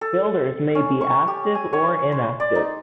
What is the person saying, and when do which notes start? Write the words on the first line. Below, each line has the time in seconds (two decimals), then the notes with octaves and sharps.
Builders may be "active or inactive".
0.01 A4
0.75 C#4
1.01 C#6
1.28 G4
1.55 G#5
1.73 C#5
2.12 C5
2.40 D5
2.55 D#4